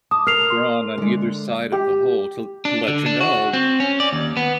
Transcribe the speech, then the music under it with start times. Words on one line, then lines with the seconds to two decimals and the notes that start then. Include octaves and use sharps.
drawn on either side of the hole to to let you know
0.11 A5 D6 D#6
0.27 A#4 F6 C7 F7
0.50 C6
0.98 D3 G#3
1.72 G4
2.65 D4
2.88 D3
3.06 D4
3.21 F#4
3.53 C4
3.80 C#4
4.00 D5
4.13 D#2
4.37 B3